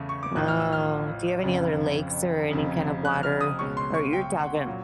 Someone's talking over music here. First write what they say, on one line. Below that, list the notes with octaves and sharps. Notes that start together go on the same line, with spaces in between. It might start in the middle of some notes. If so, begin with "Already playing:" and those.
Oh, do you have any other lakes or any kind of water? Or you're talking
Already playing: E2 C#3 A3
C#6
D6
A1 A2 F3 F#6
F6
E6
F6
F#1 F2 C#3
F1 F2 C#3
F#6
F6
D#6
C#2 B2 G#3 C#4 C#6
C6
C#6
G5
F#5
A#2 F#3